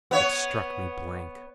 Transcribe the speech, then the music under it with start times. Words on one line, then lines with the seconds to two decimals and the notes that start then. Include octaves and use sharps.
It struck me blank.
0.11 B3 C#5